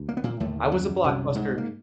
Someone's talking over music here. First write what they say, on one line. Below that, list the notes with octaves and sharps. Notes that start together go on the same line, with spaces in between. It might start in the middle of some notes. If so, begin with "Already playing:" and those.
I was a Blockbuster
Already playing: D2
A#3
B3
A#2 A#3
D#2 A2 D3 A3
F#2 F#3
C2 F#2 C3 F#3
G#2 G#3
A#3